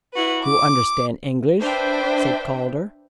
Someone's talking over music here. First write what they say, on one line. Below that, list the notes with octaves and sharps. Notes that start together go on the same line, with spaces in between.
"You understand English?" said Calder.
E4 F#4 B4
D6
D4 B4 C5 E5 G5